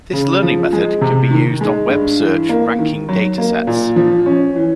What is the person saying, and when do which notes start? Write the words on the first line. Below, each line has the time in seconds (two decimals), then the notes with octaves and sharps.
This learning method can be used on web-search ranking data sets.
0.13 C#3
0.42 F3
0.73 G#3
1.01 C3
1.31 D#3
1.61 G#3
1.90 G2
2.20 E3
2.49 A#3
2.79 D#3
3.09 F#3
3.38 A#3
3.67 A#2
3.96 F3
4.26 C#4
4.56 E3